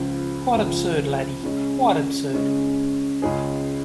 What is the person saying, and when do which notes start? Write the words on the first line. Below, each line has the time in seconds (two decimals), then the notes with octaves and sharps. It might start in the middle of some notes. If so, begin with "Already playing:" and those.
Quite absurd, laddie — quite absurd.
Already playing: C#2 C#3 F3
0.55 C#2 C#3 F3
1.43 C#3 G#3 C#4
2.33 C#3 G#3 C#4
3.22 C#2 C#3 G#3 C#4 G#4